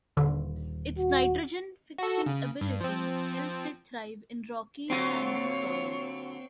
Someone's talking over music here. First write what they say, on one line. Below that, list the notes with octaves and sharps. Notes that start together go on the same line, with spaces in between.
Its nitrogen-fixing ability helps it thrive in rocky, sandy soil.
D#1 D3
F#4
F#4 A4
C#3
G2
F3 C4
D3 F#3 A#3 C4 F4 C#5